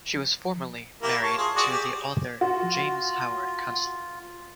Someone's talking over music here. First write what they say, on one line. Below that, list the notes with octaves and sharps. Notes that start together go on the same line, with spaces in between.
She was formerly married to the author James Howard Kunstler.
A#3 E4 G4
C#5 A5
F4 G#4
F#4 G#4 D5
G4
F4 F#4